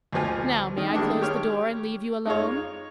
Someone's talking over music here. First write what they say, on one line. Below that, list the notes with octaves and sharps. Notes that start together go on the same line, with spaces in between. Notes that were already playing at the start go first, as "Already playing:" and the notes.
Now, may I close the door and leave you alone?
D2 B2 F3 G#5
D#3
D#3 G3 G#3 A#3 D4
G4 C#5 F6
G#3 D#4 F4 C#5